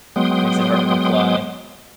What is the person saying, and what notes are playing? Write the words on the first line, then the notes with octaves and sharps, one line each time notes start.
makes it harder to fly.
F#3 G#3 B3 G5 C6 D#6